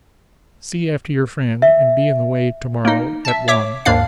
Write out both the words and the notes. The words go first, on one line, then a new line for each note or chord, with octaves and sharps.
'See after your friend, and be in the way to-morrow at one.
E5
A#3 D#4
E5 A5
C#5 E5 D6
D#2 G#2 A#3 D4 F5 C7